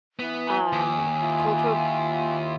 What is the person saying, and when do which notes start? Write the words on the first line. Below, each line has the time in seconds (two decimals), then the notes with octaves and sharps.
um, cultural
0.19 E3 B3
0.46 G#5
0.73 D#2
1.21 E4 F4